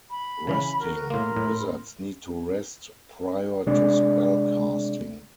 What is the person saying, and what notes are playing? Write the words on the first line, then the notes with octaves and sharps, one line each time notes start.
Resting: Wizards need to rest prior to spell casting.
B5
C#3 E3 C#4
F#4 A#4
A2 A#3 A#4 B5 C6
A2
C3 G#3 D4